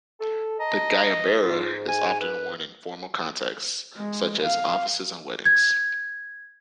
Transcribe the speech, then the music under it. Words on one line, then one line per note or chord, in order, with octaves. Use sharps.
The guayabera is often worn in formal contexts, such as offices and weddings.
A4
D#5 A5 A#5
G#2 F4
G#5
B4
G#3
F5
G#6